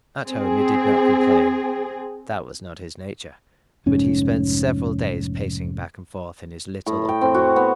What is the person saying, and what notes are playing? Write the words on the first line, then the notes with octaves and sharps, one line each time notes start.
At home he did not complain--that was not his nature--but he spent several days pacing back and forth in his little upper room.
C4 G#4
F1 G#2 C#4
A2
G5
C4
F#4
B3